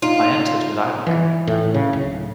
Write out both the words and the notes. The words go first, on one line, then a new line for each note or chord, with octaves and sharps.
I entered without knocking.
D#4 F4
E3
A2
C#3
D1